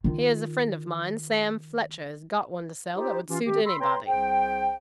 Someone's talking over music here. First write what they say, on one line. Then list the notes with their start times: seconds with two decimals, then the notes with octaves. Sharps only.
Here is a friend of mine, Sam Fletcher, has got one to sell that would suit anybody.
0.04 D#3 F4
2.96 D#4 F4 G4 C5
3.29 E3 C#4 F4 G4
3.46 D#3 G#3 A3 C4 G4
3.66 B5 C6 E6
3.81 B4 C#5 G5 A#5 C6
4.07 C2 C4 G#4 C5 G5